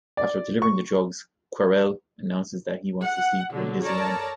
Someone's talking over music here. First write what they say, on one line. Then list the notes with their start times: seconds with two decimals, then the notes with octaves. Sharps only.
After delivering the drugs, Querelle announces that he wants to sleep with Lysiane.
0.17 D5
0.62 C#6
3.03 F#5
3.51 B2 D3 F#3
3.83 A4 A#4 C#5 D5 A5 A#5